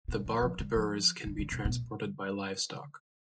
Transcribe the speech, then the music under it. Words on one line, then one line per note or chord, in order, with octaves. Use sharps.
The barbed burrs can be transported by livestock.
B2
F3
F3
G3
F3
D3
D3
C3
B2